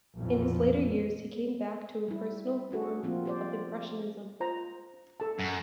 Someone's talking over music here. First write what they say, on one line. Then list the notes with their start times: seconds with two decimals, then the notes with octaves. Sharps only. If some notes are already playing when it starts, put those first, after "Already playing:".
In his later years, he came back to a personal form of impressionism.
0.16 B1 F2 A#2 E3 F3
2.08 G3 E4
2.71 C#4 D4 F#4 G#4
3.03 F3 A#3 C4 F4
3.25 G4 C5 D5
4.40 F4 C5 A#5
5.20 A4 A5
5.40 F#2